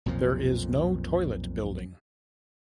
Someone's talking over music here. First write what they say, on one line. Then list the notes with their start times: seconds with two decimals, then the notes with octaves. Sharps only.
There is no toilet building.
0.06 B1 F2 A#2 F3